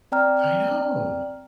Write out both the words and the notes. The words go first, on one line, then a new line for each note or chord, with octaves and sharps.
I know.
C4 D5 G5 A#5 F6